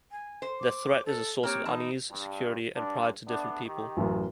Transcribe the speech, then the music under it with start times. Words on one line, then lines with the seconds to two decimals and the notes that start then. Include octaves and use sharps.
Their threat is a source of unease, security, and pride to different people.
0.11 G#5
0.42 C5
0.60 D6
1.06 A4
1.43 A#3 C4 G4 C#5
1.65 E3 D#4 A5
2.10 G2
2.76 G2 D4
3.27 A3 B3 D4
3.65 D#3 G4
3.97 A1 F#2